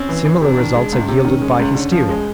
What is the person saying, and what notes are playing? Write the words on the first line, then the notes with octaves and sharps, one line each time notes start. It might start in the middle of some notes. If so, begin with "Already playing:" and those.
Similar results are yielded by hysteria.
Already playing: C4 C#4
E3
E3
C3 D4
D#3
G#3
C#2
C3 C#4
D#3
G#3
C#2
D3 C#4
F3
G#3